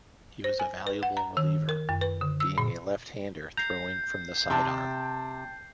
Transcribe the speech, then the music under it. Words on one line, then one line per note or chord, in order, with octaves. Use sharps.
He was a valuable reliever, being a left-hander throwing from the sidearm.
C5
G#5
B4
F#5
A#5
D#3
A#4
F#2
B4
D3
E6
A#2
A#5 G6 C7
C3 G5 A5